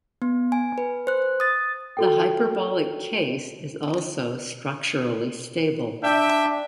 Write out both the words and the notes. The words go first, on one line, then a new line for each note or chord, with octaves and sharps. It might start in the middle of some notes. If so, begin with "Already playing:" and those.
The hyperbolic case is also "structurally stable".
B3
G#5
B4
C5 F#6
D#6 A6
F#4 A4 G5
D4 E5 G5